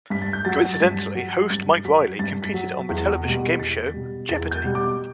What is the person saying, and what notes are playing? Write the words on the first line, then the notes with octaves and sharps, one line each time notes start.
Coincidentally, host Mike Reilly competed on the television game show Jeopardy!
G2 B6
A6
G6
F#3 A6
A6
G2 B6
F#3
G2 A6
F#3 B6
G2 A6
B6
F#3
E2
B2 G3
B6
E2 A6
B2 G3
E2 A6
G6
B2 G3
D6